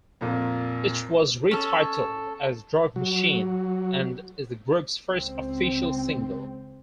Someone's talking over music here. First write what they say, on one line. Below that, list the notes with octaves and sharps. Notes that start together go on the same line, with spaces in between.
It was retitled as "Drug Machine" and is the group's first official single.
F2 A#2
C#4 A4
F#3
C#2 C4